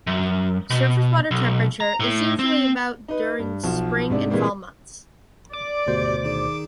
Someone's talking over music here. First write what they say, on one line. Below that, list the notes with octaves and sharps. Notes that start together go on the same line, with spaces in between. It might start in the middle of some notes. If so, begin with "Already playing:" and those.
Surface water temperature is usually about during spring and fall months.
F#2
B2
B1
A#5
A2
C4
D#4 B4
G2
B1 F3 F#4
G#2 C3 D4
A#2 E3 G3 G#3 A#3 C4
D5 D6
D2 G#2 B2 G4 C5
D#3 D#4 G#4